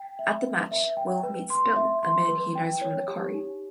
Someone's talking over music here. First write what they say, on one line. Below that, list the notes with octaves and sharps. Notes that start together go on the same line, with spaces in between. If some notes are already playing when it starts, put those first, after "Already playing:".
At the match, Will meets Bill: a man he knows from the Corry.
Already playing: G5
E5
B4
E5
G5
B4
C6
E5
C6
B4
G5
C#5
G4
D#4